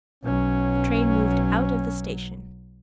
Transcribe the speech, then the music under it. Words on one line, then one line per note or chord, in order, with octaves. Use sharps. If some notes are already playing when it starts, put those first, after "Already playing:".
The train moved out of the station.
B1 F#3 C#4